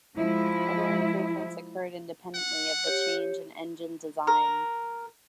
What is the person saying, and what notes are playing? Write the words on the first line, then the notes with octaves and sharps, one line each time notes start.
Other improvements occurred independently of the change in engine design.
F3 G#3 E4
F#5
G4 C#5
A#4